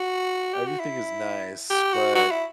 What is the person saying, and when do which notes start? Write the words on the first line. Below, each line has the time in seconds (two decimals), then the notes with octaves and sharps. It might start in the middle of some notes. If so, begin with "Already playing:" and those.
everything is nice, but,
Already playing: F#4
0.54 G4
0.67 F#4
0.80 E4
1.70 G4
1.93 F#4
2.15 F#4
2.31 E4